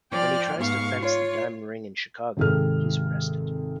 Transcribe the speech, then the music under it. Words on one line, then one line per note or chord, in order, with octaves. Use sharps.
When he tries to fence the diamond ring in Chicago, he's arrested.
F3 D5 G5 F6
G#2 B3 F5 C#6
F4 C#5
G#1 C3 C4 G#4 A4 F6